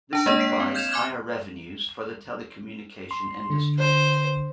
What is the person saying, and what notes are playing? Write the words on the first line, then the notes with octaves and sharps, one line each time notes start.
This implies higher revenues for the telecommunication industry.
D4 A5
G#3 A#3 D4 C#5 D#5
B6 C7 D7
C4
F6 G6 G#6 E7 F7
G#5 C6 D6 F#6 G#6
C6
D3
C5